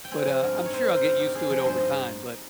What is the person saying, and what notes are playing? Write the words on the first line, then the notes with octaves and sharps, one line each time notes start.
but, uh, I'm sure I'll get used to it over time, but
G5
C4 G#5
F3 G#5
G2 A#4
D#4
C#5
C4 C5
F3 A#4
C5
G2 A#4
D#4 G4
C4 G#4
F3 G#4
G2 C5
D#4 D#5